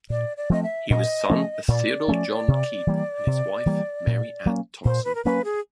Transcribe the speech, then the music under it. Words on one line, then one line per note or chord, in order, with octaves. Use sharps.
He was son of Theodore John Keep and his wife Mary Ann Thompson.
A#2 D5
D5
F3 A3 C4 D#5
E5
A#2 D#5
F3 A3 C#4
A#2 D5
F3 A3 C#4
C3
E3 G3 A#3
C3
E3 G3 A#3
A#2
F#3 A#3 C#4
A#2 C5
B4
A#4
F#3 A#3 C#4 B4
G#4